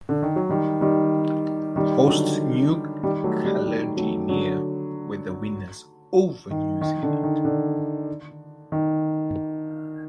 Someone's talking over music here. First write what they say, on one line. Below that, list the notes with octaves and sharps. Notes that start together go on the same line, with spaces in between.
Hosts New Caledonia were the winners over New Zealand.
D3
D#3
F#3
D#3 G3
D#3 G3
D#3 G3
D3 F#3
D#3 G3
F#3 A3
D#3 G3
D#3 G3
F#3 A3
D3 F#3
D#3
D#3
D3
D#3
D3
D#3